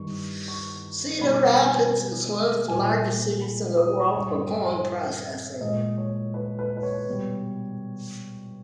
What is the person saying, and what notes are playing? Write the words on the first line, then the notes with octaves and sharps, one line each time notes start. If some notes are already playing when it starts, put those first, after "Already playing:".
Cedar Rapids is one of the largest cities in the world for corn processing.
Already playing: G2 D#3 G3 C#6
C#6
B2 G3 B5
A#5
G#5
A#2 G3 G#5
B5
D#6
G2 G3 C#6
B5
G#5
E5
A#2 G#3 D#5
C#5
B4
B4
B4
C#5
B2 G3